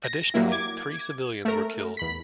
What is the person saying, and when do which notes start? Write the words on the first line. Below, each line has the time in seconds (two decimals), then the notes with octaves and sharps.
Additionally, three civilians were killed.
0.04 A#6
0.34 F#3 G3 A#3 E4
0.52 D6 G#6
1.45 A3 A#4
1.97 E2 B5 B6